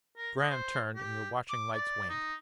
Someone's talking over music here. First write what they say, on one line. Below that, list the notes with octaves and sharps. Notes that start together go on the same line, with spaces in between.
Graham turned, and the watching lights waned.
A#4
D#5
C5
G4
D6
D5
D#4